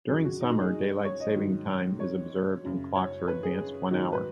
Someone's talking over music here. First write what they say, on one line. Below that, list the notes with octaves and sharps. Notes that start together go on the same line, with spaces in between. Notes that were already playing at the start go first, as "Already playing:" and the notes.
During summer daylight saving time is observed and clocks are advanced one hour.
F#2 D#3 F#3 G#4
F#4
D#4
F#4
G#4
C#5
D#5
G#2 D#3 F#3
C#5
F#2 C#3 F#3
C#5
B4
G#4
G#2 D#3 F#3 F#4
F#4
B4